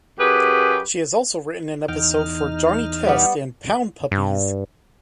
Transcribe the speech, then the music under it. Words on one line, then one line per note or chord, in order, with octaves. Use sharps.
She has also written an episode for "Johnny Test" and "Pound Puppies".
F#2 G4 G#4 B4
E2 D#4 G5 F6
G3 B3
G2